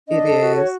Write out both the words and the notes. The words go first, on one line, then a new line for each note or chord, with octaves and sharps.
It is.
D4 D#5
A4
F#4
C#5